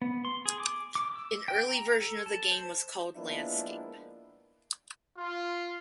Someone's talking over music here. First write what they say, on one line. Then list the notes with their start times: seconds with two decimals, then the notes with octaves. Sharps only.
An early version of the game was called "Landscape".
0.02 B3
0.25 C6
0.46 G#4
0.60 D6
0.95 D6
1.16 E6
1.48 G5
1.68 A#5
2.01 A4
2.26 A5
2.52 C5
3.16 F3 G#3 A#3 B3 D4 E4
5.16 F4